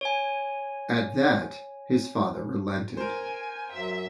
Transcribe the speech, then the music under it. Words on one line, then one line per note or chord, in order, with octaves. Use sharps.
At that, his father relented.
C#5 G#5
A#4 C5 G#5
F#2 E5